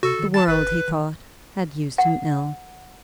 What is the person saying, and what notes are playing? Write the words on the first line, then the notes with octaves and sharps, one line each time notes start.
The world, he thought, had used him ill.
C3 F#4 A4
D#3
A5 A6
G1 B4
D#3
F#5